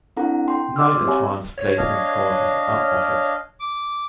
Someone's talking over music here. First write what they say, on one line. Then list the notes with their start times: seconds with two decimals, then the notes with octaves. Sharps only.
Nine advanced placement courses are offered.
0.16 C4 D4 E4 A4 F#5 A#5
0.48 G5 C6
0.76 D#5 C6 D6 E6 F6
1.06 C4 G4 C#5 E5 G#5 A#5
1.58 C#5
1.78 D4 D#5 F5
3.60 D6